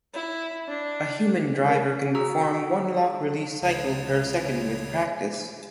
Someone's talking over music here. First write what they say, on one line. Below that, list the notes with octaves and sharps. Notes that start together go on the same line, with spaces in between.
A human driver can perform one lock-release cycle per second with practice.
E4
D4
A#4
F#4 G#4 A#5 E6
C#2 C#3 C#5